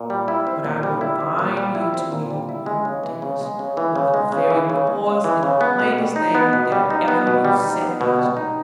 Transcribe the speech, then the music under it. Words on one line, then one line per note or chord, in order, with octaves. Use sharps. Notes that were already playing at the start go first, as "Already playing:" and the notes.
But I will bind you to me, you dearest, with the very poorest and plainest thing that ever you set eyes on.
Already playing: A#2
G3
E4
C4
A#2
G3
E4
C4
A#2
G3
E4
C4
A#2
G3
E4
G#3
C#3
E3
C#3
G#3
C#3
E3
C#3
G#3
C#3
E3
C#3
G#3
C#3
E3
C#3
B3
B2
G3
D#4
B3
B2
G3
D#4
B3
B2
G3
D#4
B3
B2
G3
D#4